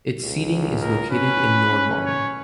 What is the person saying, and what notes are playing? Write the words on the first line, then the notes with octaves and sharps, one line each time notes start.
Its seat is located in Nordmaling.
C#2
A#4
C#4 B4
C#4
C#5